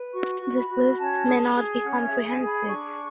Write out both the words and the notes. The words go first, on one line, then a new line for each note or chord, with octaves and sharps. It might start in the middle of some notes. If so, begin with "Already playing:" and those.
This list may not be comprehensive.
Already playing: B4
F#4 C#6
F#4
B5
F#4
C#4 A5
G#4
G#4
C#4 F#5
E5
G#4
G#5
G#4
B5
D4 C#6